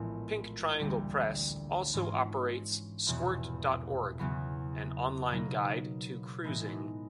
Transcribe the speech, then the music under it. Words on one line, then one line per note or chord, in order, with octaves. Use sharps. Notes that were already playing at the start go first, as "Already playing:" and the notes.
Pink Triangle Press also operates squirt dot org, an online guide to cruising.
Already playing: A#1 A2 E3 G#3 B3
D2 D3 G3 A#3
G#2 E3 G#3 C#4 F4
F1 E2 B2
E2 C#3 F#3 B3
B2 F#3 A#3 D#4
A2 E3 G#3 B3 D#4